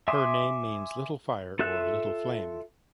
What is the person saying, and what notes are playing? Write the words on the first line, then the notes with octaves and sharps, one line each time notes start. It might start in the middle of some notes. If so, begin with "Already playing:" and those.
Her name means "little fire" or "little flame".
E5 G#5 C6 D6 D#6
F4 A4 E5 F#6